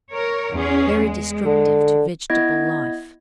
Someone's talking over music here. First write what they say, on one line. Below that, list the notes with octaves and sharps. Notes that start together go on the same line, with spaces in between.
Very destructive to vegetable life.
A#4 C#5
E2 C#4 G#4
G#3
D3
B3 E4 D#5 G#6